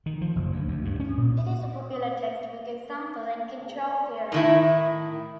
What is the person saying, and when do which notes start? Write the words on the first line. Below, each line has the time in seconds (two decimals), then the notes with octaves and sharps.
It is a popular textbook example in control theory.
0.06 D#3
0.21 F3
0.36 F#1
0.52 D2
0.68 D2
0.85 G2
1.00 C#4
1.17 A#2
4.32 A2 D#3 E4